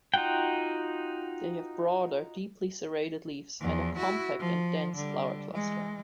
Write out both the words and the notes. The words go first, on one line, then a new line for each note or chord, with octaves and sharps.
They have broader, deeply serrated leaves and a compact and dense flower cluster.
D#4 F4 F#4 F#5 G5
E2 F3
E4 F#4
F3
D3 G3
E3 G#3